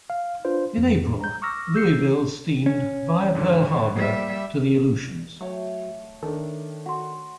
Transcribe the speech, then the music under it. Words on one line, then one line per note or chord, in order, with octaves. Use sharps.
In April, "Louisville" steamed, via Pearl Harbor, to the Aleutians.
F5
D4 F4 B4 C5
F2 B3
A#5 G6
C#6 D6 E6 F6 A#6
E6 G6 C7 C#7
C#4
F2 G#2 D3
G3 A#3 E5
F#3 A3 C#5 G5
D#3 D4 A4
F#4 F#5 C6